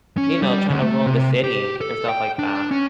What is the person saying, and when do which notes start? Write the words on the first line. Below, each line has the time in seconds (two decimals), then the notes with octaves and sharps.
you know, trying to ruin the city and stuff like that.
0.17 C#4
0.42 G3
0.70 D2
0.82 A3
1.06 C3
1.44 G4
1.81 A4
2.09 G5
2.39 D4
2.71 C#4